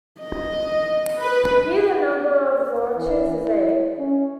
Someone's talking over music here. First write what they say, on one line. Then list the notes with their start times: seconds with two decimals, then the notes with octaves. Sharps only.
Here the number of launchers is eight.
0.20 D#5
1.22 B4
2.97 E3
3.33 E4
3.99 C#4